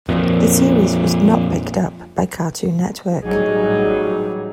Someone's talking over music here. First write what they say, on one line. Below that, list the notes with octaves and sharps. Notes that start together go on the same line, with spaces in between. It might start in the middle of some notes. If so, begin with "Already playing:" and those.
The series was not picked up by Cartoon Network.
F2 A#2
A1 F#3 G3 D#4 G#4